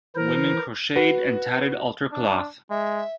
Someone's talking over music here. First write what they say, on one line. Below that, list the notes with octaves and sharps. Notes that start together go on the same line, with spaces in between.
Women crocheted and tatted altar cloths.
E3 E4 A#4 C5
F#4 B4
D4
G#3 E5